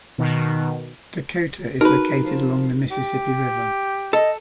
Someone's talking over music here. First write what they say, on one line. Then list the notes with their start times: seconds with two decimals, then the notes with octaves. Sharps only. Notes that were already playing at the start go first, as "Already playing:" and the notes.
Dakota is located along the Mississippi River.
0.18 B2 D#3
1.81 D#4 F#4 G#4 A#4 B4
2.22 F3
2.91 G4
4.13 A4 D#5